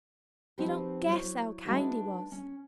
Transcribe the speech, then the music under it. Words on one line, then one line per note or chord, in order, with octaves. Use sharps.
You don't guess how kind he was.
F3 C4 D#4 F#4 G4 B4
F#3 E4 C5 C#5
G#3 A3 D4 D#4 F#4 B4
C#4